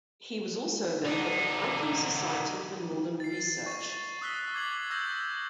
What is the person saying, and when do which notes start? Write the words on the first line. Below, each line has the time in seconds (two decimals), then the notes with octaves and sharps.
He was also a member of the Viking Society for Northern Research.
1.05 D3 D#4
3.20 A6 C7
3.66 C#6 A6
4.21 D#6 E6 F#6 B6 G7
4.54 D6 G#6 C7 F#7
4.90 E6 G6 A#6 E7